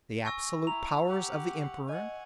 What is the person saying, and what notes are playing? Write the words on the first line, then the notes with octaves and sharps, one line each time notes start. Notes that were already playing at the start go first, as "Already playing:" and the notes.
The absolute powers of the Emperor.
G#5 C#6 E6 A#6
E4 A#5 F7
G4 F#5
D#5 F#5 G#5